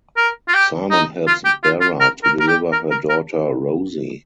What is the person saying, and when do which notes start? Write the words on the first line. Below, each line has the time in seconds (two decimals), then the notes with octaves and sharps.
Simon helps Bera to deliver her daughter Rosie.
0.17 A#4
0.48 F4
0.54 G4
0.90 D#4
1.27 F4
1.45 G4
1.63 F4
1.81 F4
2.00 A#4
2.23 A#4
2.40 A#4
2.48 G4
2.72 A#4
2.91 A#4
3.09 A#4